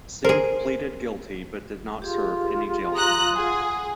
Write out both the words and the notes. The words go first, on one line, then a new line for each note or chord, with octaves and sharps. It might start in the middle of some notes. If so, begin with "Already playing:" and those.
Cinque pleaded guilty but did not serve any jail time.
G#4 A#4 C5
F4 G4 G#4
A#5 D#6 F#6
G#4 F#5